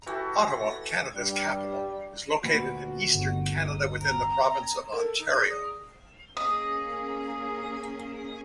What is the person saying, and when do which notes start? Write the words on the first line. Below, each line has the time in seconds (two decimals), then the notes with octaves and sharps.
Ottawa, Canada's capital, is located in Eastern Canada, within the province of Ontario.
0.06 E3 F#4 G4 A4
1.16 G2 G3
2.44 D2 A#2 F#4 B4
3.14 G1
3.58 D#4
4.02 C4 A#5
4.93 A4 A#4
5.19 D#4
5.36 G#4 D5 A#6
5.49 D#6
6.37 A#3 C#4 G#4 D#5 D#6